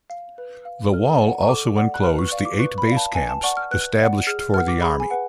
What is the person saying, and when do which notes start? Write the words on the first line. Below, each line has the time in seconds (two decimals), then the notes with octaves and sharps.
The wall also enclosed the eight base camps established for the army.
0.10 F5
0.38 B4
0.65 F5
0.92 A4 F6
1.21 D5 F#5
1.43 C#6
1.48 A4 D6
1.76 D5 F#5
1.94 F#6
2.04 B4 F6
2.19 C#6
2.32 D5 F5 C#6
2.45 D6
2.59 B4 C#6
2.78 B5
2.87 D5 F5
2.97 A5
3.15 B4 G#5
3.29 A5
3.43 D5 F#5 C#6
3.57 F6
3.71 B4 F#6
3.98 D5 F#5
4.27 G#4 F6
4.40 F6
4.54 B4 F6
4.57 F#5
4.68 D6
4.82 G#4 B5
5.00 G#5
5.10 B4 F#5